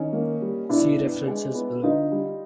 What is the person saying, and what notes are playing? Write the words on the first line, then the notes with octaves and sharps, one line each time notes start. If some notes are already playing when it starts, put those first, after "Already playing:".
See References below.
Already playing: D#3 C#4 D#4
A#3
G3
B2 D4 E4
B3
G#3
B3
D3 D#4 F4
G3